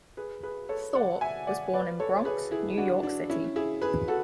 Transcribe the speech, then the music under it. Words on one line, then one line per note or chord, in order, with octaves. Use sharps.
Thorp was born in Bronx, New York City.
G#4 B4
G#4 B4
A4 C#5
D5 F#5
E5 G#5
D5 F#5
B4 D5
A4 C#5
C#5
G#4 B4
E4 G#4
D4 F#4
D4
C#4 E4
E4 G#4
G#4 B4
F#4 A4